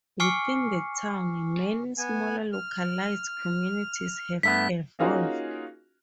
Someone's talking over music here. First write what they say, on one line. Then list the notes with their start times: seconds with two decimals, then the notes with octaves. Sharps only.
Within the town, many smaller localized communities have evolved.
0.20 G#5 C#6 D6 F6 C7 C#7
1.98 B3 G#5
2.53 F6
4.43 G2 A3 B3 B6
4.99 A#3 C#4 D#4 F4 F#4 G#4